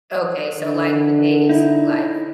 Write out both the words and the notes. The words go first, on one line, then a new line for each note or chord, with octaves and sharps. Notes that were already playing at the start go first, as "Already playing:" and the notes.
Okay, so, like, today's life?
D3
D#4 E4